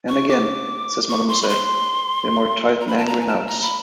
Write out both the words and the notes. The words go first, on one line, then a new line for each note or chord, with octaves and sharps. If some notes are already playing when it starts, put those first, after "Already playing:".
"And again," says mademoiselle with more tight and angry nods.
C#6
D6
C#6
C6
B5
C6
A#5
B5
A5
A#5
G#5
A5
A#5
B5